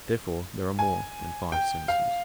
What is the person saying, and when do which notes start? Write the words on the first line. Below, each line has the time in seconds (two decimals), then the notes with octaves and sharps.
Therefore there are more than five senses.
0.79 G#5
1.52 G5
1.88 F5